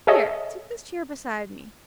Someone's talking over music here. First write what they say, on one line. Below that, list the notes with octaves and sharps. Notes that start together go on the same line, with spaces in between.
Here, take this chair beside me.
G#4 A4 C#5 D#5 E5